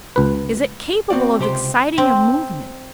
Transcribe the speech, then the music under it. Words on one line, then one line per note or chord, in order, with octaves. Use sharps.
Is it capable of exciting a movement?
C#2 B4
C4 F#4 D5
C#2 C3 G4 C5 G5 C6
C4